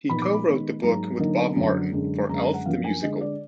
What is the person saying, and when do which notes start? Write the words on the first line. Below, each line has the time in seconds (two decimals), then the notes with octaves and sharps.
He co-wrote the book, with Bob Martin, for "Elf the Musical".
0.10 A#2 F3 B3 D#4 B5
0.22 D6
0.34 B5
0.46 D#3 G#3 B3 D#4
0.83 G#2 F#3 A#3 D#4 A#5
1.19 D3 F#3 A#3 D#4
1.56 F#2 D3 F#3 D4
1.92 F#2 D3 G#3
2.29 F#2 D3 G#3 A#5
2.41 A#5
2.53 F#5
2.66 F#2 F3 A#3 D4 F5
2.84 G#5
3.02 D3 G#3 D4 D#5
3.21 D5